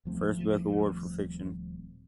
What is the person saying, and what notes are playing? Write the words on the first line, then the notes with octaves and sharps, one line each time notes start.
First Book Award for Fiction.
D#1 F3 A3 C4